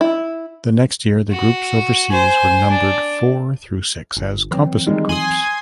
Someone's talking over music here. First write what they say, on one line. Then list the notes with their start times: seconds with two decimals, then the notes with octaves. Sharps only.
The next year the groups overseas were numbered four through six as "composite" groups.
0.01 E4
1.31 F#4
2.11 C5 G#5
2.70 D4
4.17 G1
4.51 E3 F#3 C4
4.86 D#3 G3 G#3
5.09 G#5 C6 D#6 F#7